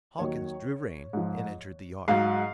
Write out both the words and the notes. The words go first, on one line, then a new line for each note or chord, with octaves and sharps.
Hawkins drew rein and entered the yard.
D#2 D#3 F#3 C#5
G#2 F3
G#2 F#3 F5